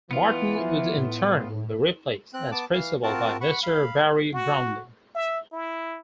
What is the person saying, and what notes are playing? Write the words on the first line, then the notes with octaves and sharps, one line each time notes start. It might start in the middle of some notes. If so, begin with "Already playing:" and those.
Martin would in turn be replaced as principal by Mr. Barry Brownlee.
E3 B3 F4
F3
A2
C4 F#6
B3 A5 D6
E3 F5
C4 F4 F#4 A#4 A5
F#5 B5 C#6
F5 B5
F#4
E5
E4